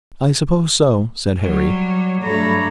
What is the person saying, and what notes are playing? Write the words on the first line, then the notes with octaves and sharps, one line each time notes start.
"I suppose so," said Harry.
F#3 G3
G2 A3 A4 C#5 A#5 B5